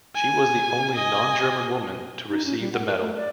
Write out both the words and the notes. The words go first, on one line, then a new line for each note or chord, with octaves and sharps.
She was the only non-German woman to receive the medal.
G#5
D#5 G#5
D#4
C#4
G3
F#5
A#4
A3
D5